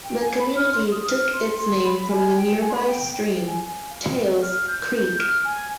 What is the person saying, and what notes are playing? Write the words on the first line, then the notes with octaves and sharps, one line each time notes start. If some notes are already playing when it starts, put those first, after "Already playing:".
The community took its name from the nearby stream Tails Creek.
G5
G#5
B5
F6
C6
D#6
F6
C6
C6
B5
G#5
G5
G#5
C6
B5
G5
G5
G5
G5
G#5
G#5
F5
G5
F6
G6
G6
F6
G#5